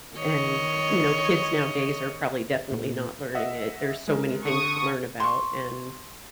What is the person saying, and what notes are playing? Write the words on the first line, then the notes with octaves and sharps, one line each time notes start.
and, you know, kids nowadays are probably definitely not learning it, there's so many things to learn about, and,
D#3 C#5 D#5
A#2
D#5 E5 F#5
G#3 A#4
D3 C#6 D#6
C6 C#6